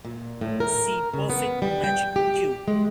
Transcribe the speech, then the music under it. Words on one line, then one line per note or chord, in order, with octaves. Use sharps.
See Perfect magic cube.
A#2
A2
A#4
C#3
B3
G3
G5
G4
G#3